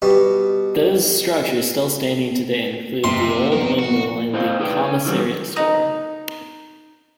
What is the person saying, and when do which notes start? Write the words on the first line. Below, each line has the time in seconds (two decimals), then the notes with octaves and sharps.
Those structures still standing today include The Old Windmill and the Commissariat Store.
0.02 B2 G3
3.04 F#1 C3 C6
3.52 F1 D#3 B3 A#4
3.79 F#4
4.34 E4 C5 D#5 F5
4.60 D#4 G#4 B4 D5 G5
4.83 C#4
5.05 D#3 E3 F#3 G3
5.56 D#4 F#5 A#5 D#6